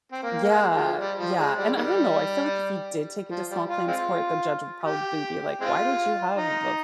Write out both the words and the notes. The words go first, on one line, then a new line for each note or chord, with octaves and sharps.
yeah, yeah, and I don't know, I feel like if you did take it to small claims court, the judge would probably be like, "Why did you have a f
C4
A#3
A#3
G#3
F3
G3
F3
G#3
G3
D#3 G3
F3
G3
F4
G#3 C4 F4
G4
G#3 C4 F4
D#4